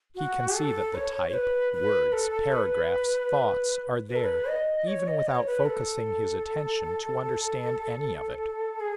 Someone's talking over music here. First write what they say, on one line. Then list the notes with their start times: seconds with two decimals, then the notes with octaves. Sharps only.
He can see that the type, words, paragraphs, thoughts are there, even without focusing his attention to understand any of it.
0.16 F#4
0.55 A4
0.95 C#5
1.29 C#5
1.34 B4
1.73 B4
2.12 A4
2.52 B4
4.09 B4
4.16 A4
4.24 B4
4.49 D#5
4.87 C#5
5.07 D#5
5.27 C#5
5.47 B4
5.66 A4
8.80 G#4